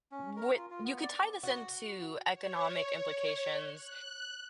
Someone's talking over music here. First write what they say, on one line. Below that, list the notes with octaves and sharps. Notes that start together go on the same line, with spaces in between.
what you could tie this into economic implications,
C#4
A#4
F4
F4
B3
D5
F#4
C#5
F#6